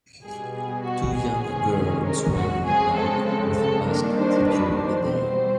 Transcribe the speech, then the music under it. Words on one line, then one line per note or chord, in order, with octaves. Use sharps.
Two young girls riding a bike with a basket during the day.
B2 G3 B3 G#4
G#4
F#4
G#4
C3 D#3 G#3 C#4
A#4
F#4
C#3 F3 G#3 C4 G#4
A4
A4
A4
D#3 G3 A#3 D4 A#4
C5
B4
C5
B2 G3 C4